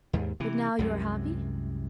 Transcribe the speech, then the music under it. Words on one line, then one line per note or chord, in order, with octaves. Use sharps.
"But now you are happy?"
D#2 G#2
C3 E3
C2 F#2 C3 G#3